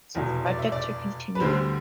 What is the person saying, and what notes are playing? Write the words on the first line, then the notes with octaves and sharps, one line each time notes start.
Some projects are continuing.
F1 E2 B2
D5
E5
D5
B4
D2 D3 G3 C5